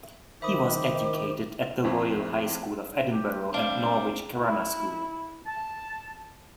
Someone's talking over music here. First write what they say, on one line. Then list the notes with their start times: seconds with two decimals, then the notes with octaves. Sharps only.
He was educated at the Royal High School of Edinburgh and Norwich Grammar School.
0.42 D#3 C5 E5 B5 D6 D#6
1.84 F2 C4 E4 C#6
3.12 G4
3.54 G3 C4 D4 F5
4.40 E4
5.46 A5